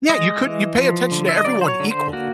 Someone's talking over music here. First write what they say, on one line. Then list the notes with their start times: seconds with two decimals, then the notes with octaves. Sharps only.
Yeah, you couldn't you pay attention to everyone equally.
0.09 G#3 D#5
0.43 E3
0.77 F3
1.11 D3
1.29 E5
1.37 D#5
1.45 F#3 D5
1.61 C5
1.68 C#5
1.80 D3
1.91 C5
2.13 A#3 F#4